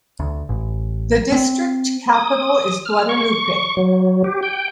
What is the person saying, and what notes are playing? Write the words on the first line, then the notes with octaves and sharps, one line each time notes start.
The district capital is Guadalupe.
D2
A1
C4
D#6
F6
C#6
F#3
G4
G5